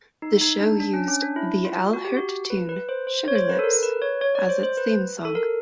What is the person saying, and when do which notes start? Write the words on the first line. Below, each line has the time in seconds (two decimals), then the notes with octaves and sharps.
The show used the Al Hirt tune "Sugar Lips" as its theme song.
0.22 D#4
0.41 D#4
0.60 D4
0.80 D4
0.93 C#4
1.08 C#4
1.22 D4
1.36 E4
1.65 F4
1.93 F#4
2.05 G4
2.17 F#4
2.50 B4
2.69 B4
2.89 C5
3.07 C5
3.28 C#5
3.35 C5
3.50 B4
3.59 A4
3.64 A#4
3.83 B4
4.02 C#5
4.21 C#5
4.35 D5
4.49 C5
4.63 C5
4.77 B4
5.25 A4
5.35 A#4